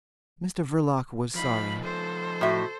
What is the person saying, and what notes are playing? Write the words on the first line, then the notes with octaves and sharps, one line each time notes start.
Mr Verloc was sorry.
F3 D#4 F5 B5
A4 C5
A2 F#4 E5